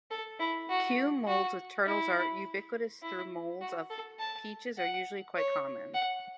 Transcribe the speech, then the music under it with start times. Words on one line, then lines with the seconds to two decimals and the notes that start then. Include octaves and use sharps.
Kue moulds with turtles are ubiquitous, though moulds of peaches are usually quite common.
0.11 A4
0.40 E4
0.69 F#4
1.28 F#4
1.86 E4
3.02 E4
3.61 F#4
3.90 A4
4.19 A5
4.78 F#5
5.36 C#5
5.94 F#5